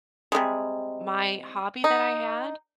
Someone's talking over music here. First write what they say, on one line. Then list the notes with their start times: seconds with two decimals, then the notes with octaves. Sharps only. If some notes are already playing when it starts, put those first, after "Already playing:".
my hobby that I had,
0.32 C3 E3 G3 G#3
1.84 D#4